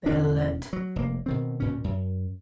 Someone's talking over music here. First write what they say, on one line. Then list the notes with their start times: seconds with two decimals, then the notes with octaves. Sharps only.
Bell et.
0.06 E1 E2 C#4 D4
0.73 F#3
0.96 F1 A#3
1.26 B2 D#3 C4
1.60 D2 A#2 C#4
1.84 F#2